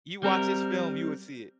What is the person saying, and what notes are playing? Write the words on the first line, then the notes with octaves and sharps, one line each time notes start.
you watch his film, you would see it,
G3 C4 A#4